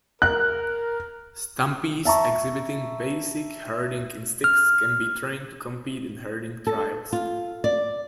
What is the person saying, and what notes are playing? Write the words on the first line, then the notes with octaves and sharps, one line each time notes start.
"Stumpies" exhibiting basic herding instincts can be trained to compete in herding trials.
A#4 F#6
E5 A5 A#5 C#6
F6
A4
F4
D5